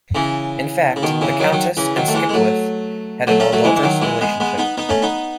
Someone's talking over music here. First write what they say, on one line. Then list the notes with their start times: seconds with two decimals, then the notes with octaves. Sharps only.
In fact, the countess and Skipwith had an adulterous relationship.
0.15 C#3 E3
0.96 C#3
1.03 B2 D#3
1.21 C#3 E3
1.40 D#3 F#3
1.52 D#3 F#3
1.77 C#3 E3
1.96 D#3 F#3
2.08 A3
2.14 E3 G#3
2.29 G#3
2.33 F#3 A3
3.27 F#3 A3
3.40 A3 C#4
3.52 F#3 A3
3.64 E3 G#3
3.76 E3
3.83 D#3 F#3
4.02 E3 G#3
4.21 G#3 B3
4.40 G#3 B3
4.58 B3 D#4
4.77 B3 D#4
4.89 A3 C#4
5.02 B3 D#4